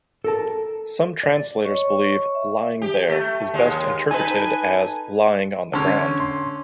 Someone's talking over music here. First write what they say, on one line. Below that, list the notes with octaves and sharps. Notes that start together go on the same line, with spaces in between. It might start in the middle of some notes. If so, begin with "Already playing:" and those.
Some translators believe "lying there" is best interpreted as "lying on the ground".
A4 A#4 A5
D5
C#5 D#5 C#6
E5
G4
A3
D#2 G#3
D#4 A4 B4 G#5
D3 C#4 A5 C6 C#6
C6